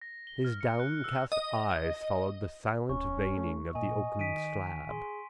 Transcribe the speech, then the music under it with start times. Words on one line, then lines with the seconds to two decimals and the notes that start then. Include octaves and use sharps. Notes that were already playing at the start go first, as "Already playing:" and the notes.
His downcast eyes followed the silent veining of the oaken slab.
0.02 A#6
0.27 G7
0.45 F6
0.61 C#7
0.80 F#6
1.04 E6
1.32 D#5
2.90 D1 C#4 C#6
3.37 A3
3.75 A#2 D#5 G#5
4.19 D#3 B6 D7 D#7
4.90 G#4 C6